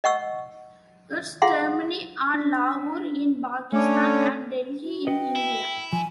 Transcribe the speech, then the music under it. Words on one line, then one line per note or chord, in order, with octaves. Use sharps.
Its termini are Lahore in Pakistan and Delhi in India.
D#5 F#5 C#6 E6
F4 G#4 F5 F#5 C6
D4 B6
D3 A3 C#4 D6
F#4
F#4 B4 D#5 G5
E4
F3 G#5